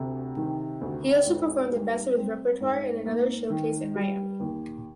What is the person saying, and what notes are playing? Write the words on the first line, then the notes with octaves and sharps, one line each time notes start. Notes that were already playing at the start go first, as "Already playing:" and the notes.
He also performed the best of his repertoire in another showcase in Miami.
Already playing: D2 C3
D#3
D2
G#2
G3
C4
G#2
A#3
D#3
G3
D#2